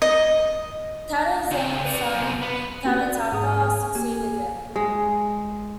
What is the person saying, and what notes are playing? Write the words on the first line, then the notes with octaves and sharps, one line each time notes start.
Tadazane's son Tadataka succeeded him.
D#5
C#3 C4
B4 D5
F#2 C3
B3
A#3 C4 C#4 F#4 G4 B4
D5 F#5
G#2 G#4 D#6
A#3 G4 G#5
G#3